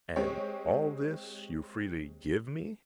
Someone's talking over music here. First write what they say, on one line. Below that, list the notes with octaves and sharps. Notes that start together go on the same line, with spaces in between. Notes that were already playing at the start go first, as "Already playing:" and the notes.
"And all this you freely give me?"
G#3 C4 G4 C#5